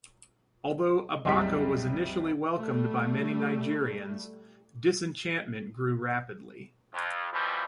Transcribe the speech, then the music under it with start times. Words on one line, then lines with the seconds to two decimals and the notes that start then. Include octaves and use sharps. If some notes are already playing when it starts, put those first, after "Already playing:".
Although Abacha was initially welcomed by many Nigerians, disenchantment grew rapidly.
1.25 F#1 C2 G3 G#3 B6
2.57 G3 A3
6.94 F2
7.32 F2 B2 E3 F3 G3